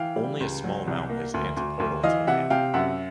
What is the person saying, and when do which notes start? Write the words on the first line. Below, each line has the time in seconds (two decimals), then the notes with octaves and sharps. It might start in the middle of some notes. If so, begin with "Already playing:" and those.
Only a small amount is antipodal to land.
Already playing: E3 F5 G5
0.16 G3
0.40 C#2
0.64 F#3
0.87 C2
1.10 A#3
1.34 D2
1.57 D2
1.80 D2
2.03 E3 D#5 F5
2.27 C3 E5 F#5
2.50 C3 F5 G5
2.74 F#2 E5 F#5